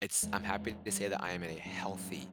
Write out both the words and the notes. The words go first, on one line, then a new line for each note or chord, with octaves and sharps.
It's I'm happy to say that I am in a healthy
F1 E2 G#3 A3
G3
F1 F2
F#2 A2